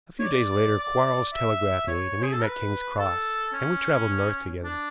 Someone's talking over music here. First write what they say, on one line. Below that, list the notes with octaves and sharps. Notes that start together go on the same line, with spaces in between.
A few days later Quarles telegraphed me to meet him at Kings Cross, and we traveled North together.
C#5
D5
D5
D5
E5
C#5
G#4
A4
B4
A4
C#4
D4